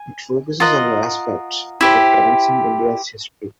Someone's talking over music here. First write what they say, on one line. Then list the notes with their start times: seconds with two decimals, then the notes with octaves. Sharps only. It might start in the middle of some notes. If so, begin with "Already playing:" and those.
It focuses on the aspects that transcend India's history.
Already playing: G#5
0.60 F4 A#4 D#5 F#5
1.81 E4 G4 C5